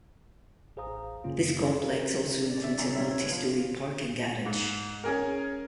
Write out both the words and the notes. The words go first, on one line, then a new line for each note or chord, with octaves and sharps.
This complex also includes a multistory parking garage.
A1 G#4 C5 F5 A#5 D#6
F#2 C#3 A#3 C#4 F4
A4 C6
C#4 F#4 G#4 A#4
D5
E5
F#2 C#3 A#5
G3 D#4 C#5 E5
A2 B3
F3
G#2
C#4 G#4 A#4